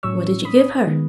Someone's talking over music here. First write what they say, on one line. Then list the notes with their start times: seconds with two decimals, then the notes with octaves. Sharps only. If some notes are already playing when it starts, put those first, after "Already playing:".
'What did you give her?'
0.03 A2 F#3 C#4 C#6 E6
0.45 B5 D#6
0.87 D#3 G#3 B3